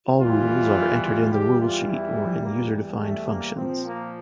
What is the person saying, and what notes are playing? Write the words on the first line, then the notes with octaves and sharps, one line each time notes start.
All rules are entered in the Rule Sheet or in user-defined functions.
E2 E3 G3 F4
F4
E2 E3 G3 G4
F4
E4
E2 E3 G3 A#3
A3
A#3
A#2 F3 C4
A#3